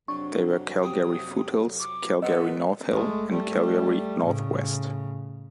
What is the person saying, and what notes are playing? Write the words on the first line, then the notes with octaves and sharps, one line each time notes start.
They were Calgary-Foothills, Calgary-North Hill and Calgary-North West.
F2 C3 F#3 D4 C#6
G4 D#6
G4
C#6 D6
A#2 D#3 B3 C5 D#5 F#5 E6
G#3 A3
G3 A3
A2 C#3